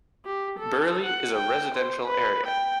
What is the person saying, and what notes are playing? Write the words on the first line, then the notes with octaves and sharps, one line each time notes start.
Burley is a residential area.
G4
A4
F#5
G5
C5
B4
G5